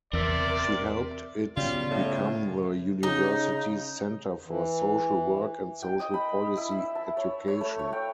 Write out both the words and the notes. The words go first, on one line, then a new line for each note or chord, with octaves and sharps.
She helped it become the university's centre for social work and social policy education.
E2 C4 A#4 D5 E5
C#3 F#3 G3 B3 F4
A2
C#3 D#4
E3
G5
D#5
B5
E4
E5
A5
C#5
C#5
A3
C#5
G5